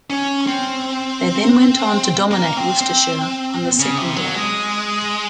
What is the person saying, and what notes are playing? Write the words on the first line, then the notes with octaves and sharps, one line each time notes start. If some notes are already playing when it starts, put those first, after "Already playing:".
They then went on to dominate Worcestershire on the second day.
C#4
C4
A#3
C4
C4
C#3
C3
F#3
G#3